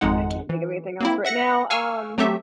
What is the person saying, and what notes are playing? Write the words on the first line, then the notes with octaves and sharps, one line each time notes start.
I can't think of anything else right now. Um,
G#1 F2 G#3 D#4 F#5
E3
A#3 C4 E4
E5 F#5 A#6 C#7
F5 G#5 C#6 E6 F6
F#3 A3 C4 G4 A4 E5